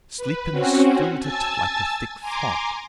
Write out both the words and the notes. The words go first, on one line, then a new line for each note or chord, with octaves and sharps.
Sleepiness filled it like a thick fog.
B4
C4 C#4 F#4
G#5 A5 E6 G#6 A6
G#5 A#5 C6 D6